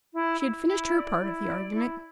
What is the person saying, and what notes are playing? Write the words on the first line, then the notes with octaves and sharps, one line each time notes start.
She had finished her part of the argument.
E4
E4
E4
D5
E4
D5
E4